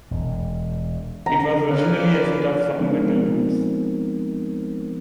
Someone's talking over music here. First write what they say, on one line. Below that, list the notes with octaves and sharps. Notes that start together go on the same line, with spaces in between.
It was originally a set of supplemental routes.
E1
D#3 A#5
A#3 G#4 B4 C#5 D5 F5
F3 G#3 B3 C4 D#4 A#4